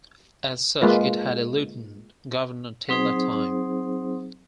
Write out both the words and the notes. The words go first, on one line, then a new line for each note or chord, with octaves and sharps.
As such it had a Lieutenant Governor till that time.
G#3 A#3 F4 B4
F#3 C4 D#4 G#4 C5